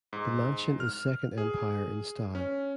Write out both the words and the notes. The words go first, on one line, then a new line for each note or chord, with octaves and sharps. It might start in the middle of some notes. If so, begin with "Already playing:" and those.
The mansion is Second Empire in style.
G#2
F6
G#4
C#4